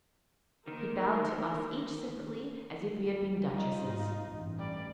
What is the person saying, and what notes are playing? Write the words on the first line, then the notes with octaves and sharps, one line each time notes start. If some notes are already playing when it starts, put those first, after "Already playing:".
He bowed to us each separately as if we had been duchesses.
D#3 A#3 A#4 C5
G3
D#4 F4
G#2
A1 G2
G3 D5